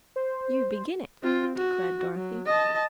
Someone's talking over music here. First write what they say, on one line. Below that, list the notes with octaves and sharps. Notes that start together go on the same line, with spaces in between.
"You began it," declared Dorothy.
C5
C4 F4
F#4
F#3
D#5 A5